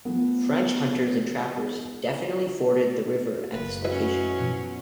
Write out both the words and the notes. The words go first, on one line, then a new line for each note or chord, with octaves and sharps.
French hunters and trappers definitely forded the river at this location.
F3 A3 B3
F#1 A#3 B4
F#3 C#4 E4 F#4 B4 D#5
B2 F3